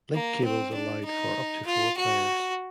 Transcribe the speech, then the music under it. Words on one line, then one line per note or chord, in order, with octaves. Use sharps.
Link cables allowed for up to four players.
A#3
C4
D4
D#4
F4
F#4